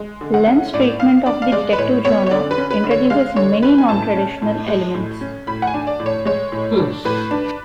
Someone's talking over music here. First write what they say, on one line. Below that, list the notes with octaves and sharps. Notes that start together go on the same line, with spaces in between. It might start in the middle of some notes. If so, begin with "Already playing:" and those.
Lem's treatment of the detective genre introduces many nontraditional elements.
Already playing: G#3
D3
F#5
C#4
A2 D5
B3 F5
D4 D5
F5
G#3 D5
B4
A2 C#5
B3 C#5
C#5
D3 D5
B4
C#4
B4
D3
C#5
G#3 F5
D3 C#5
C#4 B4
G#5
A2 A5
C#4
A2
G#3
A2
C#4
A2 B5
F#5
G#5
D4
D5
A2
C#5
G#3 C#5
A2
D4
A2 B4
D4